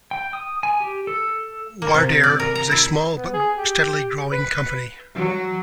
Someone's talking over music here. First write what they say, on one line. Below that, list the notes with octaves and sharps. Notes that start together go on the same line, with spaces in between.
Wardair was a small but steadily growing company.
G5
D#6
G#5
G4
A4
A#3
C3
D5
A#4
A#5
E4
B3
G#4
G4
B4
F#3